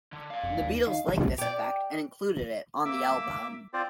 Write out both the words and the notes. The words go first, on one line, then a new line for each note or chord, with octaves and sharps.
The Beatles liked this effect and included it on the album.
D3
D5 F5
F1
D#2
D#3 F5
G4 D5
A#3 E5 D6 E6
C4 F4 C5 D5